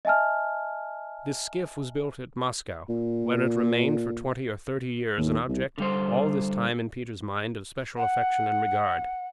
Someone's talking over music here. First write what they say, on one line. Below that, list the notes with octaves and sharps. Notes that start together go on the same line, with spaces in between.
This skiff was built at Moscow, where it remained for twenty or thirty years, an object all this time, in Peter's mind, of special affection and regard.
D#5 E5 G#5 A5 F6
A#2
D#2
C2
D3 G3 C5
F#5